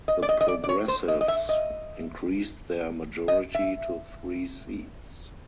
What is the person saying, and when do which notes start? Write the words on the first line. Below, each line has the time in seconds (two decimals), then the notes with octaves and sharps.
The Progressives increased their majority to three seats.
0.08 D#5
0.23 D5
0.29 D#5
0.41 D#5
0.48 D5
0.64 D5
0.69 C#5
0.88 C5
1.08 D#5
1.21 D#5
1.28 E5
1.49 D#5
3.28 D#5
3.55 E5